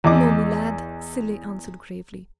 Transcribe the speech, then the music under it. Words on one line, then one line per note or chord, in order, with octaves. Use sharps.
"No, me lad," Cilley answered gravely.
E2 E3 D#5 D6